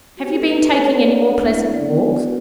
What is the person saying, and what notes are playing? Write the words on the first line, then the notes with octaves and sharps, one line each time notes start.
'Have you been taking any more pleasant walks?'
F#4
G4
A4
A3 B4
B4
D4
B4
A3 C#5
D4 C#5
D5
D4
D5
D4 F#5
B3 F#5
E4
B3
B3 D5
E4
B3
F#4 B4